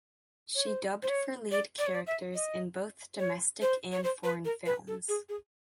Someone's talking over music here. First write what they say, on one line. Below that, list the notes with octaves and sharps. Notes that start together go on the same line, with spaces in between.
She dubbed for lead characters in both domestic and foreign films.
C#5
C5
C5
C#5
D5
D5
C#5
D5
E5
D#5
C#5
C5
C#5
C5
B4
A#4
B4
A4
G#4
G#4